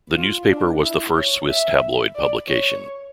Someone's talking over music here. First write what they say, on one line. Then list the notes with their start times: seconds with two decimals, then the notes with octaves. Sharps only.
The newspaper was the first Swiss tabloid publication.
0.17 F4
0.49 D4
0.83 E4
1.16 C#5
1.49 E5
2.15 D5
2.47 C#5